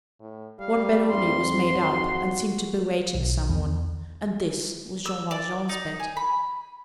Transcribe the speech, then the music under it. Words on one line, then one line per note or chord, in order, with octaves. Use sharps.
One bed only was made up, and seemed to be waiting some one, and this was Jean Valjean's bed.
A2
G3 F5
F2 G#2 C6
F#4
B1
E2
E6
D5
D#4
G#5
B5